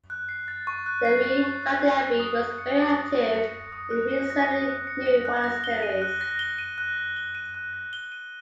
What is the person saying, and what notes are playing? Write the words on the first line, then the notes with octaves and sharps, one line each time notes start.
The re-founded abbey was very active in re-settling new monasteries.
F#6
C7
A6
C#6
F#6
C7
A6
C#6
F#6
C7
A6
D#6
F#6
C#7
A#6
D#6
F#6
C#7
A#6
D#6
F#6
C#7
A#6
D#6
F#6
C#7
A#6
F#6
A#6
G7
D#7
F#6
A#6
G7
D#7
F#6
A#6
G7
D#7
F#6
A#6
G7
D#7